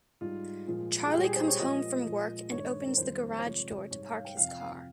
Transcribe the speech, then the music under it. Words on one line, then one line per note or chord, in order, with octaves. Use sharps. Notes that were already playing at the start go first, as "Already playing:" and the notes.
Charlie comes home from work and opens the garage door to park his car.
G#2 G3 F4
A#2 F3 G#3
G#4
A#2 G3 G4
G#4
C5
C#5
A#2 F3 G#3 D#5
A#2 F3 G#3
G2 D#3 G#3 C#5
A#4
F2 D#3 G3 C5
C5
C3 F3 G#3 C#5
G#2 G3 C#5
C#5
F5
G5
F2 C3 F3 F5
G5
F5
F5